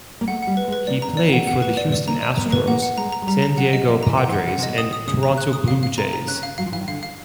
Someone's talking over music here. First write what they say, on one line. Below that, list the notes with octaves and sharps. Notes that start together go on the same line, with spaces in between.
He played for the Houston Astros, San Diego Padres, and Toronto Blue Jays.
A#3
A3 F#5
G3 F#5
B4
G#3
B4
A#3 D5
A#5
B3
D5
C4
F#5
B3 F#5
B4
A#3
D5
A3
D5
A#3 A#5
D5
B3 A#5
A#3
B3 B4
A#3 F#5
F#5
G#3 A#5
A#5
G#3
G3 A#5
A#5
F#3 F#5
D#5
F3 D#5
A#5
E3
F#5
E3
F#5
C#3 F#5
C3 D#5
B2
C3 D#6
D#6
C#3 D#6
B2 A#5
F#6
D#6
C#3 F5
F5
C3 A#5
A#5
C#3 F#6
F5
F#3 F5
F3
E3 F5
D#3
D3 F5
F5